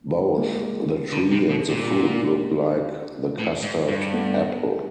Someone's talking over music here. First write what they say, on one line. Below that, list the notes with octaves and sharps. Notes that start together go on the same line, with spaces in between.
Both the tree and the fruit look like the custard apple.
G#3 A#3
D3
C3
B2
A#2
A#3
B3
G#3 A#3
A2
G#2
G2
A3 B3